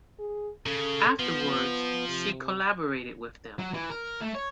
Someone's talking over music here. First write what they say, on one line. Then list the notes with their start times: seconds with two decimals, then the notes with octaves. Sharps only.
Afterwards, she collaborated with them.
0.19 G#4
0.66 C#3 A4
1.19 F3 B3
2.08 C3
3.59 F#3
3.74 E3
3.90 A#4
4.21 A3
4.35 C#5